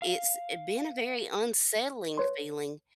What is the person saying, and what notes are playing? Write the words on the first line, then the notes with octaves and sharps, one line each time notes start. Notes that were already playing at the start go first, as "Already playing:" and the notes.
it's it been a very unsettling feeling,
F5
B4 C#5 C6